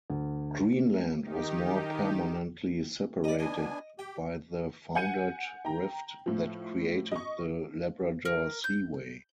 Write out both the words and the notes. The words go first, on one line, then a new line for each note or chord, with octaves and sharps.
Greenland was more permanently separated, by the foundered rift that created the Labrador Seaway.
D2
D#3 D#4 G4
G3 D5 D#5
B3 D4 D#5 G#5
G4 G5
F#5 G#5 G6 C#7 D#7
G5 A#5
A2 F3
D#5 C#6
A#4
G6